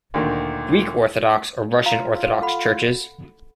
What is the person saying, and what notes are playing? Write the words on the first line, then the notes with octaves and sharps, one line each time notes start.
Greek Orthodox or Russian Orthodox churches.
D2 A#2 D#3
F4 F5 A#5
A4 F#5 B5